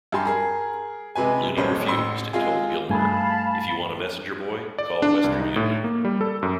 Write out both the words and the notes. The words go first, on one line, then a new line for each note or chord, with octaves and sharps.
Looney refused and told Gilmer, If you want a messenger boy, call Western Union.
G2 G4 G#5 C6
G#4 A#4
C3 G#3 B4 G#5
D#1 B1 G3 C#4 C5
A1 C6 E6
G#3 C4 F4 G#4
G2 A3 F5 G#5 A5 B5
D5
D4
C2
D#4
A2
A#3
G3
A4
F#2